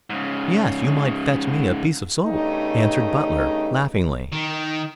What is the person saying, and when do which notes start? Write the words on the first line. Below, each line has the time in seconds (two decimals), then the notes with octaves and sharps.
"Yes, you might fetch me a piece of soap," answered Butler laughingly.
0.10 G#2 C#3
2.25 G2 C#3 A3 D#4
4.32 D#3